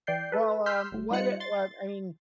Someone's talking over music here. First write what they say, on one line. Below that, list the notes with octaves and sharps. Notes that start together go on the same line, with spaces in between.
Well, um, what eh, what I mean,
E3 D5 G5 G6 C7
A4 B4
C6 E6 F6 G6 B6 C7
G1 A2
G3 D#4 F4 C5 F#6 C#7
C6 A6